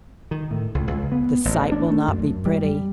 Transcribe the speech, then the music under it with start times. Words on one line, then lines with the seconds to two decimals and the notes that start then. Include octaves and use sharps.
The sight will not be pretty.
0.31 D#3
0.51 A2
0.75 C#2
0.87 C#2
1.12 B3
1.45 A1
1.72 D4
1.91 A3
2.08 F#2
2.19 F#2
2.46 G3
2.64 G3